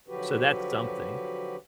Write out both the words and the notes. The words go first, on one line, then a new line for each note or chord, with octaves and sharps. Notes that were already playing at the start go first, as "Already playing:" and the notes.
So that's something.
D3 F3 F#3 F#4 G4 B4